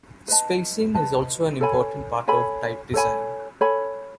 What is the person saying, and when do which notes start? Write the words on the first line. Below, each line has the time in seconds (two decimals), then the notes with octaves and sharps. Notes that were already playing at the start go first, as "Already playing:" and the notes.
Spacing is also an important part of type design.
0.28 B4 D#5 A5
0.95 B4 D#5 A5
1.61 A4 C#5 G#5 B5
2.28 A4 C#5 G#5 B5
2.94 A4 C#5 G#5 B5
3.61 A4 C#5 G#5 B5